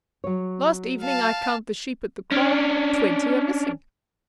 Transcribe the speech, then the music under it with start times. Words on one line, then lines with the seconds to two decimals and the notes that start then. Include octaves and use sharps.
Last evening I count the sheep at the kraal--twenty are missing.
0.24 F#3 C#5
1.02 F5 A5
2.32 C#4 D4